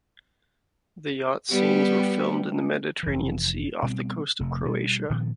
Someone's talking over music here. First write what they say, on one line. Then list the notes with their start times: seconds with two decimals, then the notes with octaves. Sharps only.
The yacht scenes were filmed in the Mediterranean Sea off the coast of Croatia.
1.50 G3 B3 G4
3.03 F1 E3
3.83 B2 G3 C4
4.40 F1 C3 A3
4.65 B2 G3
5.10 A#2 D#3 F3 B3